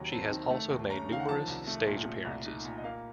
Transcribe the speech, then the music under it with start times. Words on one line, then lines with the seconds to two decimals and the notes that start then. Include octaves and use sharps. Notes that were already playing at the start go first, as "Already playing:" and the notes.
She has also made numerous stage appearances.
Already playing: D#2 C3 F#3 A#5
0.12 C4 A5
0.32 D#3
0.50 A3 A5
0.70 D#2
0.89 C#4 A#5
1.09 D#3 F5
1.20 F#5
1.29 F3 A5
1.48 C2
1.67 A3
1.87 A#2
2.05 A3
2.25 C2
2.45 D#4
2.65 A#2
2.78 D#5
2.84 A#3 F5